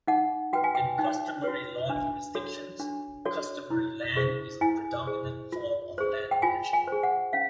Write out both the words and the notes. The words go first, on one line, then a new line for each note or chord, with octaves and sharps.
In customary law jurisdictions, customary land is the predominant form of land ownership.
D#4 F#5
F#4 B4 G5
G#5
G5
D#4 G5
F#4 B4
D4
F#4 A4 C#5
D4
F#4 A4 C#5
E4
G#4 C5
E4 G#5
G#4 C5
F4
G#4 C5
G5
F4 G#5
G#5
G#4 C5
F#5
C#4 F5